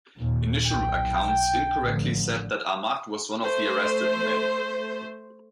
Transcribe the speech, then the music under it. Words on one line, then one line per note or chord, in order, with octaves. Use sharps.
Initial accounts incorrectly said that Ahmad was one of the arrested men.
D#2 A#2
B1 G5
A1 D3 F3
A3 C5